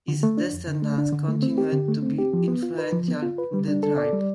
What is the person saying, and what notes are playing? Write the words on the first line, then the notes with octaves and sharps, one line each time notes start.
His descendants continued to be influential in the tribe.
D3
A3
D4
F2
D3
A3
D4
D3
A3
C4
G4
D3
A3
C4
G4
F3
B3
F4
B4
F3
B3
F4
B4
G3
D4
A4
D5
G3